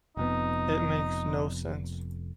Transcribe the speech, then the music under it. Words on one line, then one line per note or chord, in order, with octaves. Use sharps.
It makes no sense.
F1 F2 B3 D#4